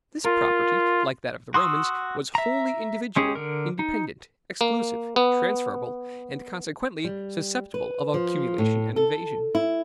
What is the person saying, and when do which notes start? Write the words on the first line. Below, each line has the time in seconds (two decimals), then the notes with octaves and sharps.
This property, like that of the Romans, was wholly individual, independent, exclusive, transferable, and consequently susceptible of accumulation and invasion.
0.25 F4 A#4
1.54 F#4 C6 D#6 E6
2.35 E5 A#5
3.16 G#3 C#4 G4 G#4
3.35 D3 A#4
3.79 D#4
4.61 A#3
5.16 B3
7.05 G3
7.74 B4
8.14 F3
8.58 A2
8.96 A4
9.55 E4